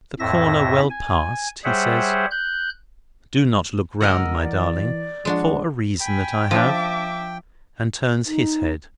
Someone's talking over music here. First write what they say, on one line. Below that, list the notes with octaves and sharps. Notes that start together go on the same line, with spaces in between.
The corner well passed, he says: "Do not look round, my darling, for a reason that I have," and turns his head.
F2 A2 E5 A#6
G#5
G3 G#4 C5 C#5 E5 F#5
F#6 G6
C#2 A#4 D#5 F#5 E6
E3 D5
F3 G#3 D4 F#4
G5 G#5 B5
F3 D4 E5 D6
D#4